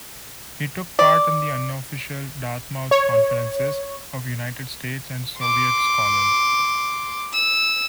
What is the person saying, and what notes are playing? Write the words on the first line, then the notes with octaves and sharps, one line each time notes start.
He took part in the unofficial Dartmouth Conferences of United States and Soviet scholars.
D5
C#5
C6 D6
E6